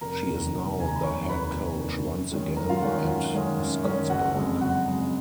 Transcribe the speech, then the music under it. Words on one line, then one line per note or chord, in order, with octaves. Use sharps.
She is now the head coach once again at Scottsburg.
F1 A#4 A#5
D#2 D#3
F1
D#2 D#3 G#5
A#5
B5
F1 C#5 C#6
D#2 D#3 B4 B5
F1
D#2 D#3
F#2
D#3 G#3 C#4
F#2 A#4 A#5
F4 F5
D#3 G#3 C#4 F#4 F#5
F#2
D#3 G#3 C#4
F#2
D#3 G#3 C#4
F#1 F#4 F#5
F2 C#3 G#3
F#1 F#4 F#5
F2 C#3 G#3